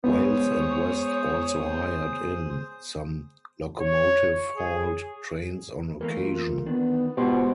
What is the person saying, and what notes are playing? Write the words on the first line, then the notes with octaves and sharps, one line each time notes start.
Wales and West also hired-in some locomotive-hauled trains on occasion.
G#3 B3 G#4 C5 C#5 D#6
C#5
G#4
E3 A3 A#3 A#4
F4
D#3 B3 D4
B2 G#3 F4 G4 C5 F#5 C6